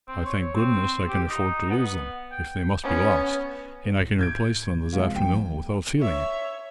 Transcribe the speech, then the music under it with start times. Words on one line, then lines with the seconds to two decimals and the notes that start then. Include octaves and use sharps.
I thank goodness I can afford to lose them, if they must be lost, and I can replace them this afternoon without feeling it.
0.08 C4
0.26 C#5
0.55 C4
1.09 G4
1.29 D#4
1.70 B3
2.32 G5
2.83 B3 C#4
4.00 A2
4.19 G6 G#6 D7
4.93 C3 F3 G#3 B3
5.16 F3 A3 G5
6.00 C#5 E5